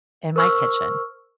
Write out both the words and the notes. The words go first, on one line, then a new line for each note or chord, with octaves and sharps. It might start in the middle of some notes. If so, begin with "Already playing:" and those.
in my kitchen
A#4 C5 C#6 E6 F6